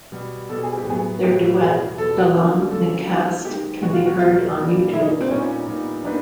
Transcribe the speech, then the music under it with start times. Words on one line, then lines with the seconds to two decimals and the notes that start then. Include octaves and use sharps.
Their duet "Delam Mikhast" can be heard on YouTube.
0.12 B2 G3 B3
0.49 B2 G3 B3 A4
0.63 G#4
0.77 G4
0.86 A2 F#3 B3 G#4
1.23 A2 F#3 B3 G4
1.60 E2 B2 G3 B3 G#4
1.98 E2 B2 G3 B3 A4
2.35 D3 F#3 A#3 C#4 F#4
2.71 D3 F#3 A#3 C#4 F#4 A4
3.08 D#3 G#3 B3 D#4
3.45 D#3 G#3 B3 D#4 G4
3.82 E2 B2 F#3 B3 F#4
3.93 F4
4.06 F#4
4.19 E2 B2 F#3 B3 F4
4.57 A#2 G3 A#3 D4
4.93 A#2 G3 A#3 D4 E4
5.02 D#4
5.21 C4
5.31 A#2 G3 B3 C#4 D#4
5.67 A#2 G3 B3 D#4
6.04 G3 A#3 D4 D#4 G4 B4